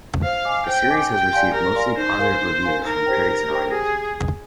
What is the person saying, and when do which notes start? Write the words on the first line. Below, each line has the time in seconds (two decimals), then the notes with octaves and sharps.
The series has received mostly positive reviews from critics and audiences.
0.23 C5 F5
0.45 D#5 G#5 D6
0.67 C5 G5
0.89 D#5 G#5 D6
1.11 G4 G5
1.33 D5 F5 G#5 C6
1.54 G4 A#4
1.76 D5 F5 G#5 C6
1.97 D#4 C5
2.19 A#4 F5 G#5 C6
2.41 D#4
2.63 A#4 F5 G#5 C6
2.84 D#4 A#4
3.06 G4 C5 G5
3.28 D#4
3.50 G4 C5 G5
3.71 G4 G#4